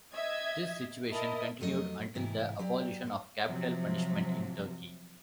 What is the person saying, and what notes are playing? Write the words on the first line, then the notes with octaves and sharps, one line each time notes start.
This situation continued until the abolition of capital punishment in Turkey.
D#5 E5 G#6
E4 A#4 D#5 A5
F2 F#3 A3 F4 D#5
G#2 C3 E3 E4
F#3 G4 D5
A2 G#3
C3 F3 F#3